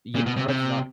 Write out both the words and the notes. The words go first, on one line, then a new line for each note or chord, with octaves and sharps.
yeah, corrections are
A#2
B2
C3
C3